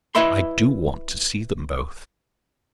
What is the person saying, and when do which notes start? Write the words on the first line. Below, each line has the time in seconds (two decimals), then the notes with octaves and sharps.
"I do want to see them both."
0.15 E4 B4 D#5 E5 B5 C6